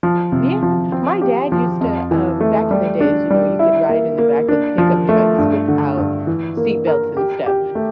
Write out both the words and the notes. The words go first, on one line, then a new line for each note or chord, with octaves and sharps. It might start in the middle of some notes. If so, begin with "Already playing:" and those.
Yeah, my dad used to, um, back in the days, you know, you could ride in the back of pickup trucks without seatbelts and stuff.
F3
C3
F3
C4
G4
F3
F2
E3
A3
G3
D4
G3
E4
A#3
A#3
D4
F3
A3
G2
D3
G2
E3
A#3
A#4
G4
G4
A3